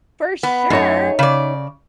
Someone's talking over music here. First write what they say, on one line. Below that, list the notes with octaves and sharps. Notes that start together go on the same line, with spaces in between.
For sure!
B3
F#2 A3 D#4 C#5
C#3 D5